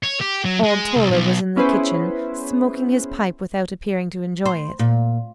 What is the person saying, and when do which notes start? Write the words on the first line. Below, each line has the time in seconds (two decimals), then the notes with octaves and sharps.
Old Toller was in the kitchen, smoking his pipe without appearing to enjoy it.
0.04 C#5
0.21 G4
0.46 F#3
0.64 G#3
0.96 C2
1.11 B1
1.56 B3 C#4 E4 G#4 B4 C5
4.46 C5
4.79 A#2